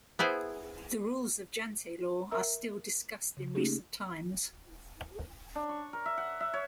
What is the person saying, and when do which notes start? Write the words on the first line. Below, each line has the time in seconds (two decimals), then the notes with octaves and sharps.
The rules of Jante Law are still discussed in recent times.
0.19 B3 E4 G#4 C5
2.31 A#4 E5 A#5 E6
3.37 C#3
3.55 A3 A#3 C#4 D#4 G4 G#4
5.55 D4
5.69 C#6
5.93 A#4
6.06 E5
6.18 F#5
6.40 E5
6.54 C#5